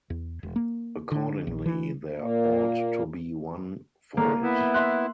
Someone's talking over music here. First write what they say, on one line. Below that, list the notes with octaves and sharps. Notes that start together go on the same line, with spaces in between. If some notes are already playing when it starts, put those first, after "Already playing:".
Accordingly there ought to be one for it.
E2
E1
A#3
D3
A#1
E3
A#2 A#3
E2 A2 D3 A#3
B3 E4
E5 C6 F#6